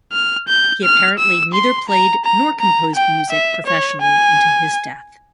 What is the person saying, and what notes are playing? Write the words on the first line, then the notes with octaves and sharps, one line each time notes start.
He apparently neither played nor composed music professionally until his death.
F6
G6
F6
E6
C6
A#5
A#5
A#5
G5
E5
C#5
G#5